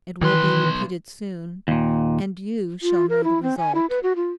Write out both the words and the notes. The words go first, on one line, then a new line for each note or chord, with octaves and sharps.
It will be repeated soon, and you shall know the result.
B1 D#3 E3 B4 C6
D#2 A#2
F4
A#4
E4
C4
G#5
E4
B4
F#4
F4